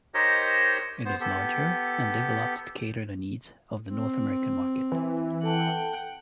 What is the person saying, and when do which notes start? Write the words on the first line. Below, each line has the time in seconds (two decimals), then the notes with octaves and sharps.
It is larger and developed to cater the needs of the North American market.
0.14 D#4 G4 A#4 C5 C#5 D#5
1.05 B3 C5
1.21 B3 G4 A4
3.91 C4
4.92 E3
5.43 A4 F#5 G5 A5